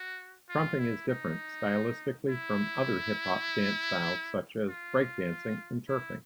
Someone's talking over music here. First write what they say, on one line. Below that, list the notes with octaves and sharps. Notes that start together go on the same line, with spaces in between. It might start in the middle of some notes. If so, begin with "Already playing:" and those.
Krumping is different stylistically from other hip-hop dance styles such as Breakdancing and turfing.
Already playing: F#4
F4
E4
D#4
E4
F4
E4